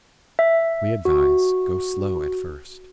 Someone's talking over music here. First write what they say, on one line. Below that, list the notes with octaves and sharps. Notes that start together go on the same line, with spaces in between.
We advise: Go slow at first.
E5
F#4